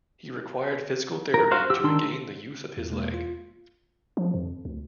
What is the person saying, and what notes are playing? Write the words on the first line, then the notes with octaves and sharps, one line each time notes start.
He required physical therapy to regain the use of his leg.
A#4
F#4 C5 F5
G4 E6
D#3 D4 C6 E6
E2
B2 G#3 A#3
F4
F3
F2
D2